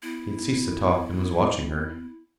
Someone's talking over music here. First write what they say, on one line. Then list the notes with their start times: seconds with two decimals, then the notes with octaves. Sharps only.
He had ceased to talk, and was watching her.
0.03 B3 E4